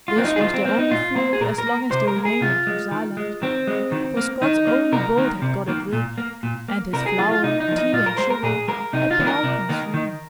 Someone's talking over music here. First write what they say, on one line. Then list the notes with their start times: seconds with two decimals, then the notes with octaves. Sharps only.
This was their only food as long as they remained on King's Island, for Scott's only boat had got adrift, and his flour, tea, and sugar had been all consumed.
0.08 F4
0.16 A#3 C4
0.24 D#4
0.36 G#4
0.40 D#3 F4
0.54 C4
0.65 A#3 C4
0.79 D#4
0.91 A#2 F4
1.16 A#3 C5
1.33 G#4
1.40 A#2 A#4
1.58 A#4
1.67 A#3
1.91 C3 C5
2.08 A#4
2.16 G#3
2.25 G#4
2.41 C3 F4
2.67 G#3
2.91 D#3
3.17 G#3
3.42 D#3 C4
3.67 G#3
3.92 D#3
4.17 A#3
4.42 D#3 D#4
4.67 A#3
4.92 C3 A#4
5.17 D#3 A#3
5.42 C3
5.68 D#3 A#3
5.93 A#2
6.18 A#3
6.43 A#2
6.68 A#3
6.93 C3 A#4
7.06 G#4
7.18 F3 A#3 F4
7.31 F4
7.43 C3 D#4
7.60 D#4
7.68 F3 A#3
7.77 D#4
7.93 A#2 F4
8.06 A#4
8.18 G#3 C5
8.30 A#4
8.43 A#2 G#4
8.68 G#3 A#4
8.93 C3 D#4
9.11 F4
9.19 D#3 A#3
9.27 A#4
9.43 C3
9.69 D#3 A#3
9.94 D#3